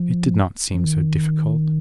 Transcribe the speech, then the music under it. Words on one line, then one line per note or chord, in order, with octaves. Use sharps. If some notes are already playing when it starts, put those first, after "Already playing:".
It did not seem so difficult.
Already playing: F3
F3
D#3